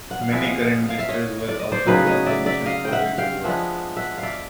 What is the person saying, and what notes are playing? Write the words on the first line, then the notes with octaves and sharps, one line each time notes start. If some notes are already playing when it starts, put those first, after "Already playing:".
Many current ministers were also given promotion for their good work.
F#5
F5
F3 G#3 B3 E4 E5
D#5 F5
F5
E5
C#5 D#5
D5
D#5
C5 D5
C#3 F#3 B3 D#4 B4 C#5
C#5 D#5
D5 E5
D5 E5
D#5 F5
G5
E5 F#5
F5 G5
F3 G#3 B3 D4 E5 F#5
E5 F#5
F5
D5 E5